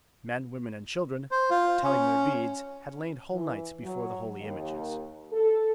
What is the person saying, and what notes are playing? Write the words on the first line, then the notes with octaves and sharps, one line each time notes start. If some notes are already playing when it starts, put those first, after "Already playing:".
Men, women, and children, telling their beads, had lain whole nights before the holy images.
C5
F4
C#4
E3
F#3
D#2
A4